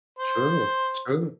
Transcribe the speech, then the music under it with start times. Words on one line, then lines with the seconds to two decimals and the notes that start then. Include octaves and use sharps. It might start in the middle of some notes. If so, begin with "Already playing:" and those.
True, true,
0.19 C5